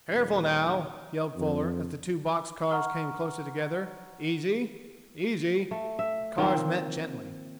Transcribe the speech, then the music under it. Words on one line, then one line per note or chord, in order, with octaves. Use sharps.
"Careful now," yelled Fuller, as the two box-cars came closer together. "Easy--easy!" The cars met gently.
D#1
F2
F#5 A#5 C#6 F6
A3
E5
D#3 F3 A#3 C4